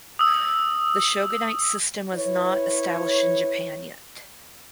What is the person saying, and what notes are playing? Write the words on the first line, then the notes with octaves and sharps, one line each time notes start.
The shogunate system was not established in Japan yet.
D#6 E6
E4 B4 C#5